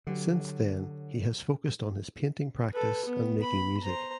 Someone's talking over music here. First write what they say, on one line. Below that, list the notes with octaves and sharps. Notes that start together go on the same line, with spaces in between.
Since then he has focussed on his painting practice and making music.
D3 F#3 G4 C#5
A4 B4
B3
B5
C5 A#5